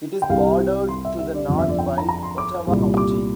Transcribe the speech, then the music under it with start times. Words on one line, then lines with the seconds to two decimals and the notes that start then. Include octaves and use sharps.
It is bordered to the north by Ottawa County.
0.22 G5
0.30 C2 C3 G3 F5
0.89 C6
1.05 E5
1.19 E5
1.35 D5
1.48 G1 F2 D3
1.58 E5
1.69 D5
1.79 G5
1.98 A#5
2.09 A#5
2.23 C6
2.38 D6
2.67 C2 A#2 G3
2.97 D6